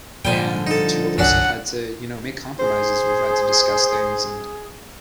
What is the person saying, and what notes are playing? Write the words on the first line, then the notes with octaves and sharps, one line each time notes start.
and the two of us have had to, you know, make compromises. We've had to discuss things and,
A#2 D3 F3 G3 G5 G#5
D#4 A4
G1 C2 F#2 F#3 C#4 D4 F#5
G#4 C5